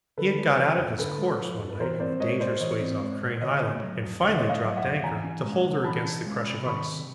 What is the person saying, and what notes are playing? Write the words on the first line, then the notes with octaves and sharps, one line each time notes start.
He had got out of his course one night in the dangerous ways off Crane Island, and finally dropped anchor to hold her against the crush of ice.
D3 A4 B4
G#3
F3
F2
D3 A4 B4
G#3
F3
F2
B4
E3 A#4 C5
C4 C5 D5
G#3 C#5 D#5
A2 C5 D5
E3 C#5 D#5
C4
G#3
A2
D3 C#5 D#5
A3
F#3
F2
D3 D#5
E5
C#5 D#5
A3
D#5 F5
F#3
E5 F#5
F2
E3 G#5 A#5
C#4
G#3
C3
E3 A5 B5
C#4
G#3
C3
D#3 B5 C#6
C3